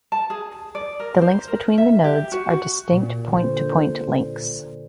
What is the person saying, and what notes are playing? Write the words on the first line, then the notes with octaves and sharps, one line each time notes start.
The links between the nodes are distinct point-to-point links.
A5
G#4
D5
A#4
C5
A#4
E5
G4
F#4
F#4
A#2
D3 C5